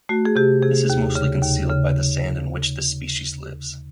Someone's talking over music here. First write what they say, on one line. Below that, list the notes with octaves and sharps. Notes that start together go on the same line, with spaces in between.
This is mostly concealed by the sand in which this species lives.
A3 F#4
G#4
C3 G4
C3 G#4
D#2
C#3
D#2
C#3